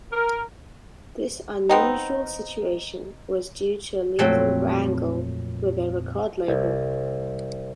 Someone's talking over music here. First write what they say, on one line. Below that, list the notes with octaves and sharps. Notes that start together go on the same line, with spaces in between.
This unusual situation was due to a legal wrangle with their record label.
A#4
B3 C4 D#4
F2 A#2 F#3 A3 C4
C2